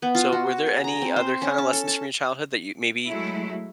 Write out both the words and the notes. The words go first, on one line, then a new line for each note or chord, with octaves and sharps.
So, were there any other kinda lessons from your childhood that you maybe
B3
F4
F#4
G#4
A#5
C4
C5
C#4
A5
A4
A5
F#3 G#3 A3 E4